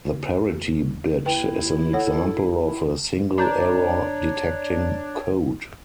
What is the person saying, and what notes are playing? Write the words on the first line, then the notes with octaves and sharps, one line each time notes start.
The parity bit is an example of a single-error-detecting code.
D#2 E4 B4 G5
A4 C#5 F#5
E4
D4 C#5 A#5 G6